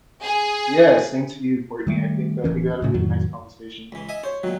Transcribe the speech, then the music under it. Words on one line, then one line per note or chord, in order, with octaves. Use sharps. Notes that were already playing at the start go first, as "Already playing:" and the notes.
Yeah, same to you, Courtney, and I think that we got a really nice conversation.
G#4
D#3 G3 A3
D1 C#2 E3 C#4
A2 C#3 A3
F2 A2 D#3 F#3
C#2 E3
D#5 E5 G#5
C5 C#5
A#2 D#3 F#3